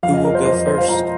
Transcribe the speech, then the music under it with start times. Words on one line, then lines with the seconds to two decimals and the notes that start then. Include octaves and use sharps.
Who will go first?
0.03 F2 F5
0.14 D#5
0.24 F3 A#4
0.35 C5
0.45 F2 D#5
0.67 F3 C5
0.78 F5
0.89 F3 A#5